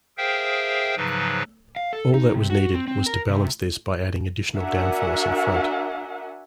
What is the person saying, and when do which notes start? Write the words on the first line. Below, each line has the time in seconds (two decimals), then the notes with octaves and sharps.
All that was needed was to balance this by adding additional downforce in front.
0.17 G#4 A#4 C5 E5 F5 G5
0.97 G#2 C#3 F3 F#3 B4
1.76 F5
1.93 A4
2.14 D#4
2.34 C3
2.50 F#4
2.74 C4
2.87 C4
3.06 A#4
3.29 C3
4.55 D4 F#4 A#4 E5 F#5 G#5